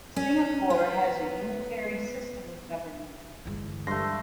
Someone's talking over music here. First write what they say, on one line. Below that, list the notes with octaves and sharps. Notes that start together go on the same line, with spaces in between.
Singapore has a unitary system of government.
C#4
B3
G1 E3 G#3
G2 A3 C6 A#6